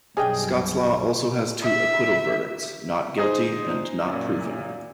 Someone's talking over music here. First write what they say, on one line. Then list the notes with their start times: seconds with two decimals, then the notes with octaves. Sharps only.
Scots law has two acquittal verdicts: "not guilty" and "not proven".
0.17 B1 F#2 G3 C#4 D4 G#4 D#5 G5
1.62 E5
3.17 D#4 G#4 C5
4.09 F#2 A#2